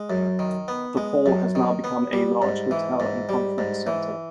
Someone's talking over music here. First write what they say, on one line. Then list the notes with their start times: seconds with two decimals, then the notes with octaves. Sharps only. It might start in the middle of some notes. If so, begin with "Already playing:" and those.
The hall has now become a large hotel and conference centre.
Already playing: G#3
0.10 F#2
0.39 D#3
0.68 B3
0.97 G#3
1.26 F#2
1.55 D#3
1.84 B3
2.13 G3
2.42 G#2
2.71 E3
3.00 G#2
3.29 G3
3.58 G#2
3.87 E3